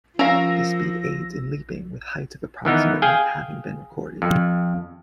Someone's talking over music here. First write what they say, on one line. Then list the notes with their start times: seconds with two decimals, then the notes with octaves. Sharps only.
This speed aids in leaping, with heights of approximately having been recorded.
0.19 F3 C#4 A#4 F5 E6 A#6
2.65 D#3 E3 B3 D#4
3.02 G#4 F5 G5 G#5
4.22 F2